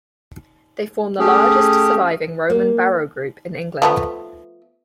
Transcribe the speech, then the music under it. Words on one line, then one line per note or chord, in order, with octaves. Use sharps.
They form the largest surviving Roman barrow group in England.
A3 C#4 G4 G#4
A#3
F3 A3 B3